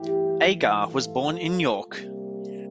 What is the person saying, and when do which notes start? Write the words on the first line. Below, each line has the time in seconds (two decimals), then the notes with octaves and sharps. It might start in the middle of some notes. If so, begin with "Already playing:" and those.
Agar was born in York.
Already playing: G2 E3 A3 E4 G4
0.82 F4 A4
1.88 C3 G3 A#3